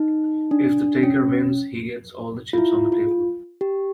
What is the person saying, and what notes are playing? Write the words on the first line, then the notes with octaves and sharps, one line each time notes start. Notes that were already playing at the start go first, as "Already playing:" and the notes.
If the taker wins, he gets all the chips on the table.
Already playing: D#4
D4
C#4
F4
E4
F4
G4